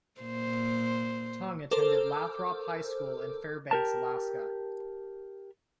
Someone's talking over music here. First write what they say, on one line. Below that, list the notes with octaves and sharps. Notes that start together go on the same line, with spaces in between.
Tongue attended Lathrop High School in Fairbanks, Alaska.
A#2 C5
A4 A#4 C5 D6
G4 A#4 A5